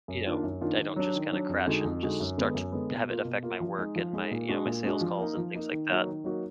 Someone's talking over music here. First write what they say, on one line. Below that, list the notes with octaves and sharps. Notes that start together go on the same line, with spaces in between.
you know, I don't just kinda crash and just start to have it affect my work, and my you know, my sales calls and things like that.
F#2
D#3 A#3 D4 F4
F#2
D#3 A#3 D4 F4
D#3
F#3 D4
D#3
F#3 D4
F2
D3 G#3 D#4 F#4
F2
D3 G#3 D#4 F#4
F#2
D3 G#3 B3
F#2
D3 G#3 B3
B2
A#3 F4
B2
A#3 F4
F3
G#3 D#4
F3
G#3 D#4
A#2
G#3 D4 F#4
A#2
G#3 D4 F#4
F3
A#3 D#4
F3
A#3 D#4
D#3
F#3 A#3 D#4 F#4
D#3
F#3 A#3 D#4 F#4